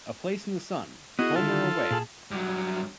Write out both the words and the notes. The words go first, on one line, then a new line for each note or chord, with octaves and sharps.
A Place In The Sun: Home or Away?
B3 E4 F#4 G#4 D#5
D3 D#3 E4 F4 A4
A#2 G#4 A5
G2 F#3